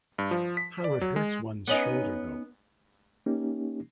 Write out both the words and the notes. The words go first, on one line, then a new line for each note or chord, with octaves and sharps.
How it hurts one’s shoulder, though.
G2
F3
B6
D5
F#3
G#3
B3 C#4 D#4
A#3 C#4 D#4 G4